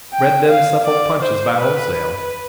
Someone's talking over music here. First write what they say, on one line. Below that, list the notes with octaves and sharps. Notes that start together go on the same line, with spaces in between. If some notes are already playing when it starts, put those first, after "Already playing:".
'Bred them Suffolk Punches by wholesale?'
G5
F5
D5
C5
B4